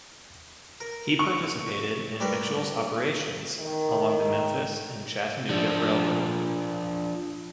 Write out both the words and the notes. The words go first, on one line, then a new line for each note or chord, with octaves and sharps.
He participated in Mitchel's operations along the Memphis and Chattanooga Railroad.
A#4
C#6
G3 A#4 B4
D#3
F3 D4